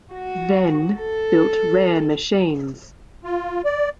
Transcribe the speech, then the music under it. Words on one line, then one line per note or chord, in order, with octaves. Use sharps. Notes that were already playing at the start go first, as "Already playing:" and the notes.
Venn built rare machines.
F#4
A4
F4
D5